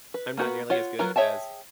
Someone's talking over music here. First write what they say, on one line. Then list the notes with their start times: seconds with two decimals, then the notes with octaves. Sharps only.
I'm not nearly as good as
0.14 B4
0.37 A#3 B3 F#4 A#4 B4
0.70 F4 C#5 F#5
0.99 F#3 F4 A#4 B4 A#5
1.16 G#4 C#5 E5 G5 A5